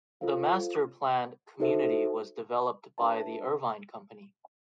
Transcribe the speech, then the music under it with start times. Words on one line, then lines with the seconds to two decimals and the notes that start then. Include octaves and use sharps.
The master-planned community was developed by the Irvine Company.
0.21 F4 A4 C5 F5
1.60 D#4 F#4 A4 C5 E5
2.98 D4 G4 B4 E5 A5